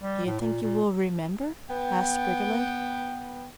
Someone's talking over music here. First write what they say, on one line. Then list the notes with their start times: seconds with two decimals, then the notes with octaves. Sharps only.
"Do you think you will remember?" asked Briggerland.
0.01 G3
0.26 A2
0.40 A#2
0.63 A#2
1.69 B3 G5